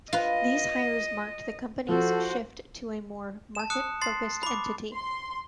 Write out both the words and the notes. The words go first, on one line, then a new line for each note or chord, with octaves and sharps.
These hires marked the company's shift to a more market focused entity.
F4 B4 D#5
F3 F#4 A4 C5
A5 E7
D#6 F#6 C#7
C6 A6 C7
B5 D6
C6